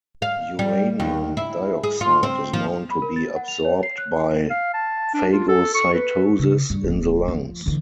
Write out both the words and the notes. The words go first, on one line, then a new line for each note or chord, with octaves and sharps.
Uranium dioxide is known to be absorbed by phagocytosis in the lungs.
F5
G3
D#2
E4
G#4
F4
C4
F3
B5
A#4
A6
F#5
F7
C#5
C7
F#6
F5
A5
D4
F4
A4
C#6
B4
C#3
G2
D1
F3
D3 E3